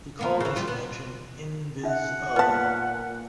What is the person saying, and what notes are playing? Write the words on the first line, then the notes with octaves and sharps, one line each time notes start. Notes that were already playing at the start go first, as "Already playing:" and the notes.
He called his invention "N-vis-o".
A#3 B3 A#4
C#3 E3
G3 F4
B3
D#4 E5 F#5
A#2 B3 B4 F5 A5